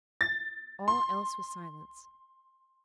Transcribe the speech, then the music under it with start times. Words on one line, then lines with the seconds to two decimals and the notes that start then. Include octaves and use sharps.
All else was silence.
0.21 A6
0.88 C6